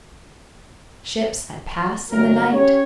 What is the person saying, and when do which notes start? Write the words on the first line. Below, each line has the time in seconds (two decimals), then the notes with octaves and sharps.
"Ships that pass in the night!"
2.11 G1 F#3 A#4
2.51 C#4 G4 C#5